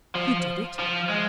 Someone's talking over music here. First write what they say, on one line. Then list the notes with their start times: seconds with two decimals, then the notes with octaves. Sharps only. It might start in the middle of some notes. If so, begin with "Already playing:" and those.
Who did it?
0.16 F3
0.79 F3
1.09 G#3